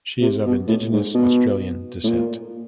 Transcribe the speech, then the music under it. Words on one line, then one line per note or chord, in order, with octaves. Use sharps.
She is of Indigenous Australian descent.
C3
B2
A2
G#2
B2
A2
A#2